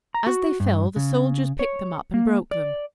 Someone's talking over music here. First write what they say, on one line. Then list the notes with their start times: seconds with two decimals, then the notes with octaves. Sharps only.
As they fell, the soldiers picked them up and broke them.
0.14 A#5
0.27 F#4
0.60 G2
0.96 C#3
1.59 C#5
2.14 A#3
2.51 D5